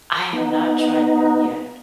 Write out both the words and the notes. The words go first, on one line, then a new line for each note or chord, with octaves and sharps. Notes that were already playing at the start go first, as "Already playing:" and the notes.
I have not tried them yet.
B3 D#4